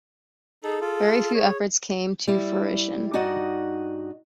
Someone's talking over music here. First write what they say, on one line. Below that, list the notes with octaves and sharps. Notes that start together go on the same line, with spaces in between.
Very few efforts came to fruition.
D#4 G#4 A4
F4 A4
C#5
G3 E4
G2 D#4 F#4 D5 D#5 F#5